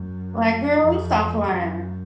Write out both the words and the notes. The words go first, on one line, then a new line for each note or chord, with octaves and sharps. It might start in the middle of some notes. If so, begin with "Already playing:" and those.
Like, "Girl, you stop playing."
Already playing: F#2
F2
F#2